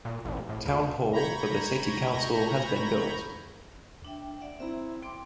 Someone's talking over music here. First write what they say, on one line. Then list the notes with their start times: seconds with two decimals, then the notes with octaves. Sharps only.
Town hall for the city council has been built.
0.05 A#2
0.25 A1
0.49 A2
0.66 D2
1.13 A#5 B5 C#6 G6 G#6 A#6
4.05 D4 E5 G5
4.40 D5 E5 F#5
4.60 C4 E4 E5 A#5
5.03 G5 C6 D6 D7